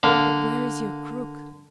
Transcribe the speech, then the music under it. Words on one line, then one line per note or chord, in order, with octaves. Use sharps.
"But where is your crook?"
D3 A#3